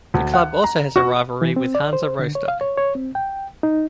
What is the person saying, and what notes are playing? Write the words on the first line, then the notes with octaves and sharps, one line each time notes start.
The club also has a rivalry with Hansa Rostock.
D2
F#5
A#5
F#4
E3
C4
D5
C5
D3
C#5
F5
C#5
C#5
C4
G5
D#4